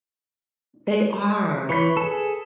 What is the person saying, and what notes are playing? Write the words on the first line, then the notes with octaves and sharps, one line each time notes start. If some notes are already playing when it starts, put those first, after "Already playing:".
They are.
E3 B4 C#5 B5 B6
G#4 A4